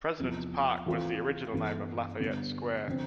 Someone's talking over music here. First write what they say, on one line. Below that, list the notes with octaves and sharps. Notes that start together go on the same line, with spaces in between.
President's Park was the original name of Lafayette Square.
E2 C3 F3
E3 A3 C4 F4
G2 E3 B3 E4 A4
D3 G3 B3
D3 F3 C4